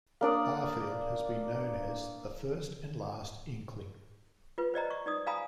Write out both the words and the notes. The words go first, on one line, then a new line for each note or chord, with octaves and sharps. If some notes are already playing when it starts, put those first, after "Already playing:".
Barfield has been known as "the first and last Inkling".
A#3 D4 D5 D#6
F4 B4
C5 D5 D#5 A#5
C#6
D#4 D5 D#6
F5 G#5 A#5 B5 D#6